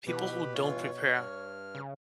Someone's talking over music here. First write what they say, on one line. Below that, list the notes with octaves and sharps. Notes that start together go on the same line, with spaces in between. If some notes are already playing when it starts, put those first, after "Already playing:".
people who don't prepare
B2 E3 G4 B4
G2 E3 F4 C#5
G2 F6
C#3